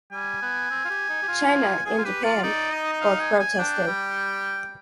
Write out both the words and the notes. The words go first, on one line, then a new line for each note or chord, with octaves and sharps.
China and Japan both protested.
G3 G#5
B3
C4
F4
G4
D#4
G4
F4
G#4 G#5
F4
G4 B4
F4 D5
D#4 D5
D#5
D#5
F5
G#5
G#5
D4 G5
G3